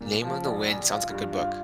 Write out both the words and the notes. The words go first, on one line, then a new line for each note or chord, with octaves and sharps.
Name of the Wind, sounds like good book.
A#2
F3
A#1
A#1
F4
G2
F4